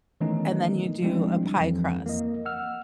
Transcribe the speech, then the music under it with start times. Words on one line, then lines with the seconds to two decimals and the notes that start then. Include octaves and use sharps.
and then you do a pie crust
0.21 D#3 E3 A3 B3 C#4 D#4
1.02 F3 G3 G#3 C4 D4 E4
1.56 F2 E3
2.06 A#3 D#5
2.46 F#5 E6 F6